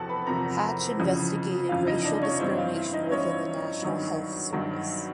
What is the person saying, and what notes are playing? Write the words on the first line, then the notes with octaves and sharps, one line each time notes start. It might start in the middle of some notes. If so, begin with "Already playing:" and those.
Hatch investigated racial discrimination within the National Health Service.
Already playing: E2 C3 F3 C4 F#4 A4 F#5 A5
B4 B5
E2 C3 F3 A#4 A#5
F2 C#3 E3
F2 C#3 E3 F4 F5
D#4 D#5
D4 D5
C#4 C#5
G2 E3 C4 C5
F4 F5
E4 E5
D#4 D#5
G2 E3 C#4 C#5
G2 D#3 F#3
G2 D#3 F#3